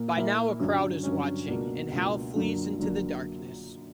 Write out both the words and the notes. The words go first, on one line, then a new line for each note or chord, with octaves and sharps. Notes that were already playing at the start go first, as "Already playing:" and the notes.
By now a crowd is watching, and Hal flees into the darkness.
Already playing: A#2 A#3
A#2 A#3 E4
G2 D3 F#3 C#4
G2 D3 F#3 C#4
C#2 B2 A#3 D4 F#4
C#2 B2 A#3 D4 F#4
F#2 D3 F#3 A#3 D4
F#2 D3 F#3 A#3 D4